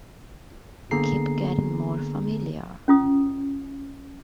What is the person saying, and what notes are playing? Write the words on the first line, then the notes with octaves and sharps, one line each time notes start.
Keep getting more familiar!
D3 A#3 B3 G#4 A#5 C7
C#4 F4 D#6